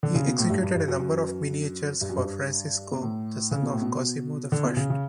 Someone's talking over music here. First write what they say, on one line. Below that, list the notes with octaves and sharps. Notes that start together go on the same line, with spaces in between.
He executed a number of miniatures for Francesco, the son of Cosimo the First.
D3
C#3
B2
A2
G2
G2
G2
F#2
F#2
G2
F#2
G2
B2
A2
C#3
B2
A2
B2
D3
B2
C#3
C#3